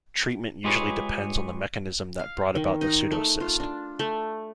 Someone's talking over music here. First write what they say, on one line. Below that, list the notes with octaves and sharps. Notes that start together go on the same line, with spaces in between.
Treatment usually depends on the mechanism that brought about the pseudocyst.
G#3 F4 G4 G#4 B4 C#5
F5
D#3
D#4
A3
F4
D4
A3